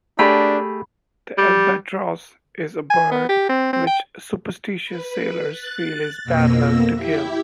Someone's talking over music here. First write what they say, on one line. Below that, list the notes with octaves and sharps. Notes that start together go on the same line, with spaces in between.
The albatross is a bird which superstitious sailors feel is bad luck to kill.
A3 D4 G4 G#4 B5
G3
G#5
B3
G4
C4
C4
G5
B4
F#6 A6
F2 B2 A#3 E6 A#6
E4 G4 E5